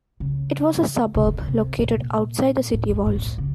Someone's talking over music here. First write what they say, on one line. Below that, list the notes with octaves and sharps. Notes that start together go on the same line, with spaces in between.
It was a suburb, located outside the city walls.
C#3
C3
C#3
C3
C3
A#2
A2
G#2
G#2
A#2
C#3